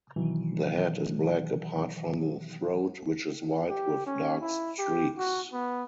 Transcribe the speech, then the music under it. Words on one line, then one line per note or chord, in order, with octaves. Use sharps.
The head is black apart from the throat which is white with dark streaks.
B2 D#3 E3 F#3
G4
C#4
E4
G4
F#4
B3